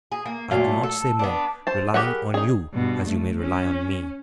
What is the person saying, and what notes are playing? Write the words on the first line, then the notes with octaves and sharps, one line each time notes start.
I do not say more, relying on you as you may rely on me.
G#4
A#3
A#2 F#3 A3 F5
A4
B3 D4
C5 A5
G4 G#4 A#4 B4 F#5
D#4 G#4
G2 B2
A3
C#4